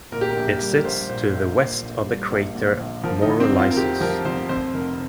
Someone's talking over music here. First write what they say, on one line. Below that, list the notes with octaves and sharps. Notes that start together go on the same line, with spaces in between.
It sits to the west of the crater Maurolycus.
A#2 A#4
G4
A#4
A#1
G3
A#4
A#1 C5
A#2 C5
A#1 A#4
A#2 C5
A#1
G3
A#1
A#2
A#1
F3 A#4
D#4
F3
C4
F2
F4
A#4
F2 G4
F3 A#4
F3 C5
F2 C5
F1 A#4